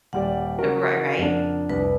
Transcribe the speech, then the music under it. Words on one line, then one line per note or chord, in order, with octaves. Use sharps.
uh, ri right?
D#1 G3 D5 F#5
C#3 F#4 A#4
F2 D4
C2 B4